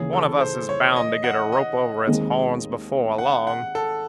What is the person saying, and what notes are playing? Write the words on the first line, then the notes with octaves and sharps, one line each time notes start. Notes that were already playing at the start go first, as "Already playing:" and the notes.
One of us is bound to get a rope over its horns before long.
Already playing: D#2 C#3 E3 G#4
A4
C5
C#5
D#5
F#5
D#5
D#2 D#3 G#3 C4
F#5
F#5
A4